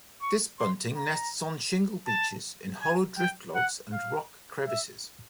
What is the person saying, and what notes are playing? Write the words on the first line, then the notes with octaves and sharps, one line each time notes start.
This bunting nests on shingle beaches in hollow drift logs and rock crevices.
C#6
C6
A#5
A5
G#5
G5
F#5
F5
E5